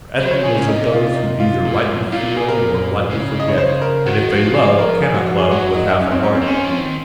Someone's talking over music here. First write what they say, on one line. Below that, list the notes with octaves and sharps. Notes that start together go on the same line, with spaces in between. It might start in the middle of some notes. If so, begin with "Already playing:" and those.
For Ethne was of those who neither lightly feel nor lightly forget, and if they love cannot love with half a heart.
F#3
C5
F3 C#5
G#4
C#3 C#4
C3 D#4
F4
D#4
F4
A#2
G#2
F#2
A#2 F4
G#4
A#4
C#3
D#5
C#5
C5
A#4
D#3 F#4
F3
G#4
A#4
G#4
F#4
F#4
G#4
F#3 F#4
D#4
D#4
C#4
C4
C#4
C4
F3
D#3 C#4
F3
C4
D#3